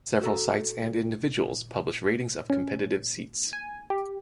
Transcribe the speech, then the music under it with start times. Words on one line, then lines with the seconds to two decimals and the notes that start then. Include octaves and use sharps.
Several sites and individuals publish ratings of competitive seats.
0.21 F#4 A4 A#5
2.50 C#4
3.53 G#5
3.90 G4